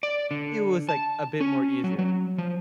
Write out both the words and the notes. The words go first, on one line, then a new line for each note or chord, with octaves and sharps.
it was, like, a bit more easier.
D5
D3
A5
C#4
F#3
F#3
F3